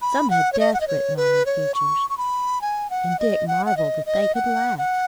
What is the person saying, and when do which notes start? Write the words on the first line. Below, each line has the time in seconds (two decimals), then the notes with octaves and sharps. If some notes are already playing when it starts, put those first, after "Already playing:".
Some had death written on their features, and Dick marvelled that they could laugh.
0.02 B5
0.30 F#5
0.53 C#5
0.59 D#5
0.74 F#5
0.81 D#5
0.88 C#5
1.17 B4
1.46 C#5
1.74 C#6
2.10 C#6
2.17 B5
2.61 G#5
2.90 F#5
3.19 D#5
3.48 F#5
3.66 F#5
3.77 D#5
4.06 D#5
4.35 F#5
4.78 F#5